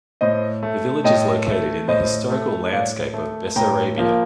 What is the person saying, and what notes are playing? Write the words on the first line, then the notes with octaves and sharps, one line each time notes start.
The village is located in the historical landscape of Bessarabia.
A2 C5 D#5
A3
A2 D#5 G5
A3
A2 C5 D#5
A3
A2 D5 F5
A3
A2 G5 A#5
F3 A#3